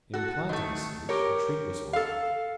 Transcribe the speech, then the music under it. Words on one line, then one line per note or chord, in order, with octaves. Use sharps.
In reply to this speech a treat was ordered.
F#4 A4
D#3 A3
G4 A#4 C#5
A4 F5